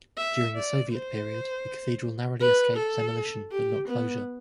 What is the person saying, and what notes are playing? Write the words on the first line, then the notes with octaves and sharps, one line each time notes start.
During the Soviet period, the cathedral narrowly escaped demolition, but not closure.
E5
D5
C5
B4
A4
G4
B3